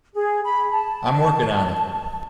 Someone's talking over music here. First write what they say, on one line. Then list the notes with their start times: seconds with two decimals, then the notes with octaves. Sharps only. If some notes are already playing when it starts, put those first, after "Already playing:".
I'm working on it.
0.14 G#4
0.45 B5
0.72 A5